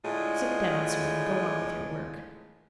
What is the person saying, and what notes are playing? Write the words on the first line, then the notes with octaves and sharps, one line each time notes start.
"Sit down, sir, and go on with your work."
A2 D3 G#3 F4 G#4